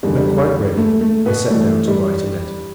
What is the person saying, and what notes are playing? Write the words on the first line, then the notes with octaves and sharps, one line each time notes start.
When quite ready, I sat down to write a letter.
E2 D3 G3
G3
A3
A3
B2 B3
G2 E3 A3
G3